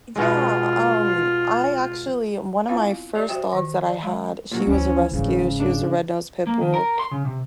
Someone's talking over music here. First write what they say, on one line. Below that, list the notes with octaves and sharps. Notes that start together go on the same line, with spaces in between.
Yeah, um, I actually one of my first dogs that I had, she was a rescue, she was a red nosed pit bull,
B2 G#3 F4
B3 C4 E4 F4 F5
G4 D5 D#5
F#4 C5 E5 G5
D#3
D5
G#3
A#2 F#3 F#4
D2 E3 C4 C#4
F#1 G#2 C#3
D4
A#3
D#3
A#4
C6
C#3
C3